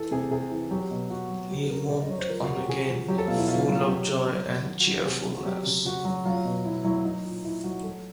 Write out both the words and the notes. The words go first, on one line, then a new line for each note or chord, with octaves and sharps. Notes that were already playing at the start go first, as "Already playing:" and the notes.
He moved on again, full of joy and cheerfulness.
Already playing: E3 A4
C3 G#4
C3 G#4
E3
F#3 G4
B2
B2 F#4
F#3
F#3 G4
A4
C#3 A#4
C#3 D5
D#5
F#3 C#5
C5
F3 A#4
F#4
C#3
G4
C#3 G#4
F3
F#3 G4
A4
B2 F4
E4
B2 F4
F#3 F4
F#3 G4
C#3
C#3
F#3
D#3
F#4
F#3
G4
C3 G#4
C3
F#4
F#3 G4
C#3
C#3 F#4
F#3
F#3 F4
B2
B2 E4
F#3 E4
F#3 D#4
A#2
A#2 E4
F#3 F#4
F#3 A4